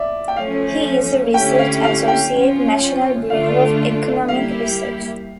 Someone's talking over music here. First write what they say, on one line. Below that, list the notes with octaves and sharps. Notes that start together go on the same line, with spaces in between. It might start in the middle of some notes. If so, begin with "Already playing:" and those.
He is a Research Associate, National Bureau of Economic Research.
Already playing: D5 E5
G5
F3 A3 C#4 F5
D3 A3 C#4 E4 G4 G5
F5
F5
G5
F3 C#4 F4
D3 A3 D4 F4 F5
G3 A#3 E4 G4 F5